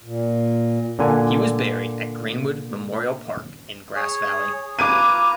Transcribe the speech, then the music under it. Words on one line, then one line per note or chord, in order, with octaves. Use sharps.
He was buried at Greenwood Memorial Park in Grass Valley.
A#2
A#2 D3 G#5
G#4 C#5
F4 B4 A#5 D6 G#6 D#7